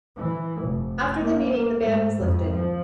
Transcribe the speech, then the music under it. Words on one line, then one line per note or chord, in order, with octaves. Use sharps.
After the meeting, the ban was lifted.
E3
F1
A#3
A#3
G#2
F2
F3